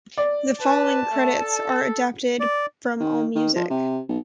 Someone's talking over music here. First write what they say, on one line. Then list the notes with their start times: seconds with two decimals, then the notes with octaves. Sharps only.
The following credits are adapted from AllMusic.
0.18 D5
0.61 B4 A5
1.11 A3
1.40 A4
2.40 D5
3.00 D#3
3.35 D#3
3.56 F3
3.70 C3
4.09 B1